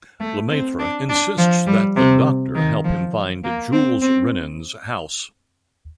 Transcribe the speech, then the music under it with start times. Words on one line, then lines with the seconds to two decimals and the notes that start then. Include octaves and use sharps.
Lemaitre insists that the Doctor help him find Jules Renan's house.
0.20 A3
0.49 C4
0.79 D4
1.09 D4
1.38 F3
1.67 G3
1.97 C3
2.55 D#3
2.84 F3
3.44 A#3
3.73 C4
4.02 C4